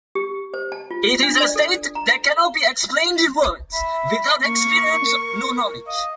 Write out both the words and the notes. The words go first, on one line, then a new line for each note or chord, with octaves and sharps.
It is a state that cannot be explained in words: 'without experience no knowledge.
G4
C5
A5
F4
D4
D5
A4
A#5
E5 B5
A#3 C#6
A#4
D#5 F5